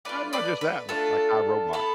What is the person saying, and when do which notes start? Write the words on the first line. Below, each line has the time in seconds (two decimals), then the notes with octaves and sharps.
Why not just that? Li like, I, Robot.
0.05 A3 D4 F4 B4 D5
0.33 B4 D5
0.61 B4
0.89 A3 D4 F4 A4
1.73 B3 E4 A4